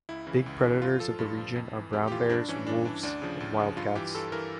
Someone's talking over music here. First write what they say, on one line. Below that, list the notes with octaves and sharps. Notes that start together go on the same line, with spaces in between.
Big predators of the region are brown bears, wolves and wildcats.
C#2 E4
C#3 E3
C#2
C#3 E3
G2 F4
F3 A4
G2
F3
F2
E3
F2 G4
G4
E3 F4
G2 D4
E3 C#4
G2 D4
E3 D4
D2 D4
C#3 F3
D2
C#3 F3
G2 F4
E3 G4
G2 A4
E3 A#4